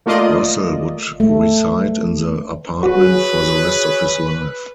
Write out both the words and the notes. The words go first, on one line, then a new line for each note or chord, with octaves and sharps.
Russell would reside in the apartment for the rest of his life.
A3 A#3 F4 D5 D#5
A3
F#4 G#4 B4 C#5